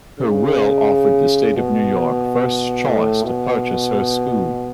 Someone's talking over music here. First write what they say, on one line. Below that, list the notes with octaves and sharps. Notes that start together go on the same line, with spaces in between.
Her will offered the State of New York first choice to purchase her school.
C#3
B2
A2
B2